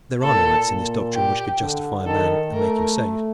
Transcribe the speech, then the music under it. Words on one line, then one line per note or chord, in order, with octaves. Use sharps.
There are no acts in this doctrine which could justify a man and make him saved.
A#2 A4
A#2
G4
D3
D#3 A4
A3 A#4